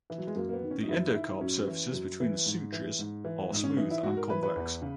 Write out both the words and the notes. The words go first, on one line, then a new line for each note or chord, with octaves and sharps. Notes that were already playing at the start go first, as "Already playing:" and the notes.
The endocarp surfaces between the sutures are smooth and convex.
E3
F#3
G#3
F#2 A#3
A#3
B3
D#3
C#4
D#4
F#2 E4
D#3 E4
D#4
F#2 C#4
E3
F#2
E3
G#2
E3
G#2
E3
G#2 D#4
C#4
E3 D#4
E4
G#2 F#4
A#4
E3 B4
B4
E2
C#3